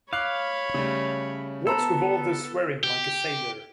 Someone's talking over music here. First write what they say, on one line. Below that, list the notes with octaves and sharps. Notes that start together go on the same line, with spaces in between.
What's with all the swearin' like a sailor?
C#5 F5 B5 D6 F#6 C7
C#3 G3 A3
B3 A4 A#5 B5 E6
G4